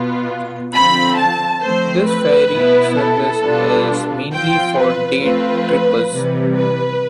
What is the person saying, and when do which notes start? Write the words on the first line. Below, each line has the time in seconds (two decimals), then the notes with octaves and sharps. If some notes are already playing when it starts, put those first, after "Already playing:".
This ferry service is mainly for day-trippers.
Already playing: B2 B3 F4
0.73 D3 F3 C4 F4 B5
1.18 A5
1.64 F3 A3 C4 C5
2.08 B4
2.53 B2 B3 E4
2.97 A4
3.43 B2 G3 B3 D4 F4
4.32 F3 C4 F4 G5
4.77 B4
5.22 F3 A3 C4 F4 B4
6.11 C3 E3 G3
6.56 B4